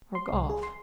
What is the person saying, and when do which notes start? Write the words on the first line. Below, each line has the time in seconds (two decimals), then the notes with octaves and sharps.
Or golf?
0.15 C6
0.33 C2
0.50 G#4
0.63 C6